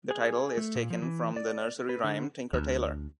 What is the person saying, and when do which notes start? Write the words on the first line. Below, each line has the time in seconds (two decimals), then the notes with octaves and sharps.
The title is taken from the nursery rhyme "Tinker, Tailor".
0.11 G#4
0.57 A3
0.75 A#2
0.90 F3
1.02 E3
1.36 D5
1.89 B4
2.04 D3
2.53 D2